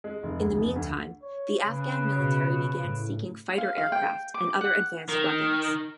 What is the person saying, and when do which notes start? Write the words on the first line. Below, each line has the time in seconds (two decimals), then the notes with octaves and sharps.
In the meantime, the Afghan military began seeking fighter aircraft and other advanced weapons.
0.04 G#3
0.23 F1
0.39 D2
0.55 F1
0.76 D2
1.23 C#5
1.67 C#3 B4
2.20 B2
2.84 A2
3.58 F5
3.78 F5
3.92 G5
4.34 D6
4.61 F#5
5.09 D#3